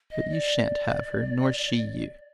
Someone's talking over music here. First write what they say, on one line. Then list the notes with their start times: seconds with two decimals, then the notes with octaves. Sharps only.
But you shan't have her, nor she you.
0.11 D#5
0.30 D5